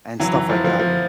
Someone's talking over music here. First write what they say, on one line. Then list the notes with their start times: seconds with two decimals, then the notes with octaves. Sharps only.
and stuff like that.
0.20 E3 F#3
0.34 E3
0.49 F3
0.64 F3
0.79 F3